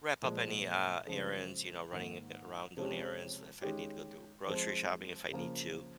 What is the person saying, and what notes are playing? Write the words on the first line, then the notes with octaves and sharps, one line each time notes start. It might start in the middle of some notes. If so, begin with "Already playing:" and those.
wrap up any, uh, errands, you know, running a around doing errands, if I need to go do grocery shopping, if I need to,
A#2 F3 G#3
C#3 F3 G#3
G#2 D#3 A#3
C3 F3 G#3 C#4 G4
D#3 G#3 C#4 G4
F3 G#3 C4
C#3 F3 A#3